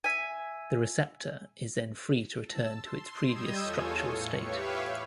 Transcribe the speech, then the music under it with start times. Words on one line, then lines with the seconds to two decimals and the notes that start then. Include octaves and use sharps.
The receptor is then free to return to its previous structural state.
0.04 E5 G#5
2.44 A5 E6
2.79 C6
3.23 G3 D#5 D#6 E6 G6 G#6
3.61 E2 F4 A4 C#5 G#5
4.00 A2 C#7
4.35 G4 B4 C#5 E5 F5